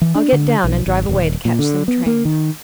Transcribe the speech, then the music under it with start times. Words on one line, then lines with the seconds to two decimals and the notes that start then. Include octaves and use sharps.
I'll get down and drive away to catch some train.
0.01 E3
0.15 D4
0.32 D3
0.64 B1
0.86 G#1
1.09 D#1
1.45 A#2
1.59 D3
1.88 B3
2.06 A#3
2.25 D#3